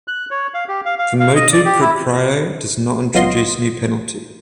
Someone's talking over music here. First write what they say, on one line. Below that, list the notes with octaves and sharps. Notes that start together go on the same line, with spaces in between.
The "motu proprio" does not introduce new penalties.
F#6
C#5
F5
G4
F5
F5
F5
D#5
D5
G4
E4
C#2 F#3 B3 F4 D#5 C6